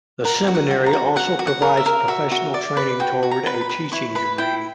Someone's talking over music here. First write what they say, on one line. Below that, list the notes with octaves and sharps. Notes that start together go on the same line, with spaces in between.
The seminary also provides professional training toward a teaching degree.
A#4 F#5
F#4
F#5
F#4
A#5
F#4
F#4 F#5
F#4
F#5
A#4
E5
A#4
F#4 E5
F#4
D5
B4
F#4 G5
F#4
A#5
B4
B5
B4
E4 C#6
B4 B5
E4 G5